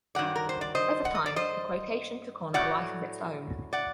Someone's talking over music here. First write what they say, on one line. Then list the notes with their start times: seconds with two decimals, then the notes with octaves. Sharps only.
Over time, the quotation took on a life of its own.
0.15 G2 D#3 F#3 A#3 D5 F#5
0.36 A#4
0.49 C5
0.61 D5
0.75 C5 D#5
1.05 F#5
1.15 D#5
1.26 D5
1.36 C5 D#5
2.54 A2 F#3 A3 D5 F#5
3.73 D5 F#5